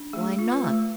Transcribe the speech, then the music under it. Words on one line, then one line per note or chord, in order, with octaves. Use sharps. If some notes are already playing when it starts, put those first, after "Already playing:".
"Why not?"
Already playing: D4
A3 G#4
F4
B4
A3